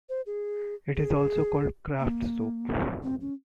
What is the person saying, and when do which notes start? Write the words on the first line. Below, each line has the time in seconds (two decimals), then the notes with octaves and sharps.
It is also called Kraft soap.
0.09 C5
0.26 G#4
0.96 G#4
2.00 A#3
3.03 C4
3.21 C#4